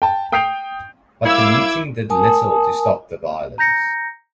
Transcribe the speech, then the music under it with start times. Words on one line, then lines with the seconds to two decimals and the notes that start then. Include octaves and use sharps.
But the meeting did little to stop the violence.
0.02 G5 A5
0.32 G5 D#6 G6 C7 D7 F7
1.25 F#2 G3 E4 F5 D6 E6 G#6
2.10 A#4 G#5 A5 D#6
3.58 A#5 G6 A#6 C#7